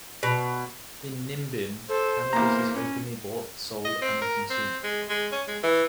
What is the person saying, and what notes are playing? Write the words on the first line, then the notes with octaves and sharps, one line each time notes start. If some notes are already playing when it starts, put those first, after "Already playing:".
In Nimbin, cannabis is openly bought, sold and consumed.
B2
A4 C5
E2 A#3 A#5
C#4
D#5
C4
A#4
C4
G#3
G#3
C#4
G#3
E3